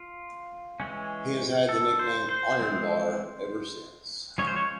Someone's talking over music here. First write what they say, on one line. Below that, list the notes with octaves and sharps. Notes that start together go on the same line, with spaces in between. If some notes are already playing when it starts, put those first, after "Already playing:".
He has had the nickname "Ironbar" ever since.
Already playing: F4
E3 G#3 C#4
A4
C5
C5
E3 G#3 C4
F3 G#3 C#4 C#5
C5
C#5